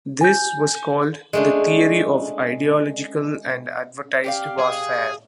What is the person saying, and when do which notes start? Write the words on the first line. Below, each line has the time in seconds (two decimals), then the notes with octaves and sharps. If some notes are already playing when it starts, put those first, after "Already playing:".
This was called "the theory of ideological and advertised warfare".
0.21 G#5 G6
1.33 G#3 A3 D4
4.24 G4 D5 F5
4.59 G#4